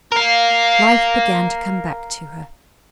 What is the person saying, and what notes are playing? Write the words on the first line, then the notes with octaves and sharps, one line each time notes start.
Life began to come back to her.
A#4 F5